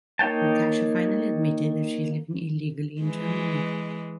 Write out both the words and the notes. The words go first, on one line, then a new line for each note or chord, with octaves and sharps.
Natasha finally admitted that she is living illegally in Germany.
A#3 D#4 C#5 G5 A5
E3 G#3